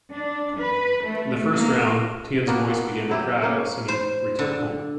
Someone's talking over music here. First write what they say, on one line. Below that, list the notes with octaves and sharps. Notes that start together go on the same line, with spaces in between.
In the first round, Tien's voice began to crack while singing "Return Home".
D4
B4
A3
A#3
A#3 B3 D4 F#4
F#3 E4 G4
A#3 C#4
C5
D3